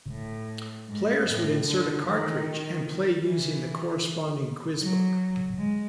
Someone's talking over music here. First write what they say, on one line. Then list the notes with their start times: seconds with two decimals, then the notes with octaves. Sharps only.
Players would insert a cartridge and play using the corresponding quiz book.
0.10 A2
0.89 G#2
1.28 A2
1.68 D3
2.06 D#3
3.24 E3
4.81 F#3
5.58 G#3